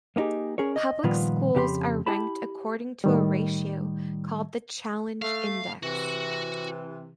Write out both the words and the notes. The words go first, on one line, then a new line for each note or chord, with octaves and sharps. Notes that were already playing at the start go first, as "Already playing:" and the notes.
Public schools are ranked according to a ratio called the Challenge Index.
A#3 B3 D#4 G4 G#4
C#4 G#4 A#4 C#5
D#5
A#2 D#3 F3 G3 B3 F4
F2 C#3 G4 F#5 B5 C6
E4 G4 A5 B5
A2 D#3 G3
A3 F5
C3 E3 F#4